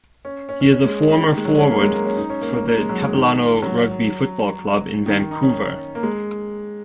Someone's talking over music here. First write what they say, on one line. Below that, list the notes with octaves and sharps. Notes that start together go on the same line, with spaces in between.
He is a former forward for the Capilano Rugby Football Club in Vancouver.
C#4
C#4
C#4
C#4
G#3
D#3
D#3
G#3
F#3
C#4
A#3
G#3
A#3
C#4
D#4
C#4
A#3
A#3
A#3
G#3
F#3
G#3
D#3
F#3
D#3
D#3
D#4
C#4
A#3
G#3